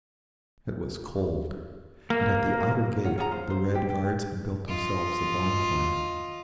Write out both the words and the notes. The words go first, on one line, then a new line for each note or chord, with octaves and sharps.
It was cold, and at the outer gate the Red Guards had built themselves a bon-fire.
A#3
F4 C#5 F#5
F4 G#4 F#5 A#5
F4 C5
C5
G4
G4
F4 D#5